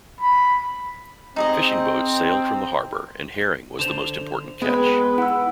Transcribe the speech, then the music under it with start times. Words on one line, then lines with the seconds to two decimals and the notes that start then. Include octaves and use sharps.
Fishing boats sailed from the harbour and herring was the most important catch.
0.21 B5
1.36 C4 D#4 G#4 D#5
3.79 D3 C5 E7 F7
4.62 G#3 B3 B4 G5
5.18 E4 F#5 E6